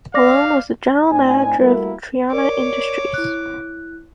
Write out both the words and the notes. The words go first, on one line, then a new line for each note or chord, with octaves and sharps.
Malone was the general manager of Triana Industries.
D5 F5 D6 A#6
A2 C4 D4 D#4 G#5
G3 A3 A#3 E4 F#4 A#4
A#4 C#5 D5 D6
E4 F#6